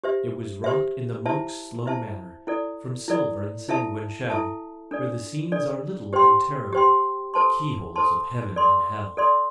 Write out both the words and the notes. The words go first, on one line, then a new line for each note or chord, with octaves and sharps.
It was wrought in the monk's slow manner, From silver and sanguine shell, Where the scenes are little and terrible, Keyholes of heaven and hell.
G4 C5 E5
G4 C5 E5
E4 C5 E5 A5
E4 C5 E5 A5
E4 A4 D5
E4 A4 D5
E4 A4 E5 A5
E4 A4 E5 A5
D4 A4 D5
D4 A4 D5
G4 C5 G5 C6
G4 C5 G5 C6
A4 C5 A5 C6
A4 C5 A5 C6
A4 D5 C6
A4 D5 C6